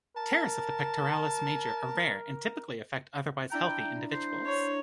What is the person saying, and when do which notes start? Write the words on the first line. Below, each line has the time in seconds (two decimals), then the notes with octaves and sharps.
Tears of the pectoralis major are rare and typically affect otherwise healthy individuals.
0.17 A#4 A5
3.52 D4 E4 G5 A#5
4.12 C5
4.46 C#5